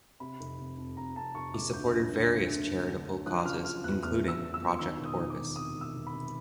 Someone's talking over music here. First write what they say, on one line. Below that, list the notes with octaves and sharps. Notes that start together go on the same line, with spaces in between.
He supported various charitable causes including Project Orbis.
C3 B5
F1
F1
F2
F2 A#5
F2 A5
F1 C#6
F1 D6
D2 G6
F#3
D3
D2
D2
D2
D3
F#3
F3 F#6
C#3 F6
F3 F6
E2 F#6
E2 F6
E2
E6
E2
E6
E2
D#3 E6
E1
D#6
D#3
D6
D#3
C3 D#6
E1
E6
E1
B5
C3